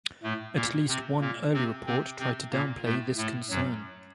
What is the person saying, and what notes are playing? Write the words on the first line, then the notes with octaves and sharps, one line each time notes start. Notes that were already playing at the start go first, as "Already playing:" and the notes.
At least one early report tried to downplay this concern.
A2 A3
A#2 A#3
C3 C4
A#2 A#3
C3 C4
C3 C4
C3 C4
A#2 A#3
A2 A3
A2 A3
F#2 F#3